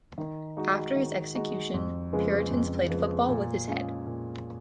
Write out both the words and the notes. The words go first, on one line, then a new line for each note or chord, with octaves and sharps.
After his execution, Puritans played football with his head.
D#3
G#3 D#4 F#4
D#3
G#3 D#4 F#4
F2
C#3 F3 G#3 B3
F2
C#3 F3 G#3 B3
A#2
G#3 C#4 F4 G#4
A#2